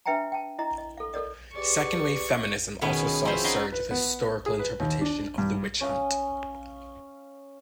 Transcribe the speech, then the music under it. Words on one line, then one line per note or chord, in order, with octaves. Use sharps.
Second-wave feminism also saw a surge of historical interpretation of the witch-hunt.
D4 B4 E5 G5 G#5 A#5
G5 A5
E4 D#5 A#5
D#5
A4 F5
A4 A#4 D5 D#5
G4 G#4 B4 D5 C#6
B2 D#3 B3 C#4 G#4
F3 C4 C#4 E4 B4 C5
D#4 F#4 B4 G5 G#5 C6
B4
B3
G#4
B4
D#2
D4
G2
C#4 F5 D#6